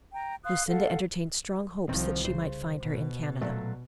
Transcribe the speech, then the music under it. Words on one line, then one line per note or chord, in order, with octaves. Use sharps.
Lucinda entertained strong hopes that she might find her in Canada.
G5 A#5
F5 C6 D#6 F#6
A4 F5 F#5
C2 D#3 F3 C4
C#3 C5
B2
A#2 F#3 A3